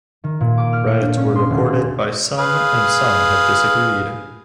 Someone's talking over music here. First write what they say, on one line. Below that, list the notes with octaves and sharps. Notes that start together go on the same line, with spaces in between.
Riots were reported by some and some have disagreed.
D#3
A#2
D6
F6
C#7
D4
C#4
C6
D#1
G#4
G#4 B4 F5